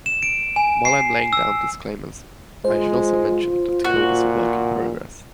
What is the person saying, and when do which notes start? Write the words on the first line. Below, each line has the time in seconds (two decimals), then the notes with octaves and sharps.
While I'm laying down disclaimers, I should also mention that the code is a work in progress.
0.06 E7
0.23 D7
0.56 G#5
0.85 C7
1.33 E6
2.65 G#3 F4 C5
3.84 A#2 F#4